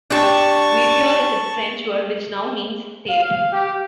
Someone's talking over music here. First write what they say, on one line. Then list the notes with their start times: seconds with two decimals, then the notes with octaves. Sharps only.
Guipure is a French word, which now means tape.
0.10 D4 G4 A5 C#6
3.10 F5
3.52 G4